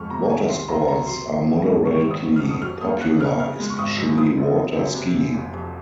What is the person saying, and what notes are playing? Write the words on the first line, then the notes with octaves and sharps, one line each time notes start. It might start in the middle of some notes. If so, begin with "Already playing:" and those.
Water sports are moderately popular, especially water skiing.
Already playing: F2 G#3 C#6 F6
C3 A#5
D#3 G#5
C2 C6
C2 A#5
C3 A#5
F#3 C6
A#1
A#1
G#2
D#3 C#6
F#1
D#6
F#1
F6
F2
D#6
F#3 F6
D#2 D#6
D#2 F#6
C#3 F6
C#3 F6
G#3
C#6
G#1 D#6
F#2
F3 D#6
F#1
F#1
F#2
C3
F1
F1
F2